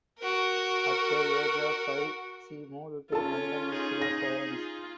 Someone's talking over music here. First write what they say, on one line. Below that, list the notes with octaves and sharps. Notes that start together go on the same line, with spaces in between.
At the age of five she moved to London with her parents.
F#4 A#4
C#4 F4 A4 A5
D#4 G#4
A#6
F4